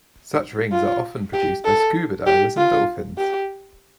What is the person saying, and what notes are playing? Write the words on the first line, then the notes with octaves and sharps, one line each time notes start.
Such rings are often produced by scuba divers and dolphins.
F4
G4
A4
G4
F4
G4